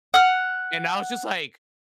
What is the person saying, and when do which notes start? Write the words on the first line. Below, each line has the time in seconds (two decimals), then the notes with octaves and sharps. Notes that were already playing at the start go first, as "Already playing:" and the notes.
And, I was just like,
0.14 F#5 F6